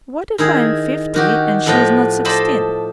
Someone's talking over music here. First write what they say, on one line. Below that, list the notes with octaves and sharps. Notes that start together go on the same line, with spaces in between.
What if I am fifty and she is not sixteen?
D#3 E4 G#4
D#3 F#4 G4
A2 F3 B3 B4 G5 A#5
A4 C5 D5 D#5 A5 B5